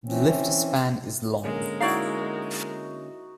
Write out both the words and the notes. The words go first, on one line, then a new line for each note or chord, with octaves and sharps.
The lift span is long.
E3 C4 C#4
D3 G#3 A#3 C#4 A#4
D#4 E4 F#4 D5 F5